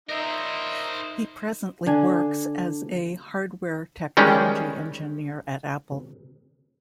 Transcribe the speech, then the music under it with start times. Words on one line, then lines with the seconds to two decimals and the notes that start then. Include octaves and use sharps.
He presently works as a hardware technology engineer at Apple.
0.09 D#4 A#4 C5 E5
1.86 D3 D4 G#5
4.17 D#3 G3 G#3 C#4